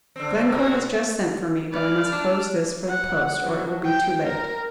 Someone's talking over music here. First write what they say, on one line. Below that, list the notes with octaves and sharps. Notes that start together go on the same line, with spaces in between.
Glencore has just sent for me; but I must close this for the post, or it will be too late.
D3 C4
B2 F#4
B4 D5 F6
D4
F#5
F#3
G5
A#4